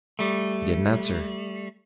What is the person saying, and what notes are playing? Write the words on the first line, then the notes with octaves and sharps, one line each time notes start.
He didn't answer.
G3 A3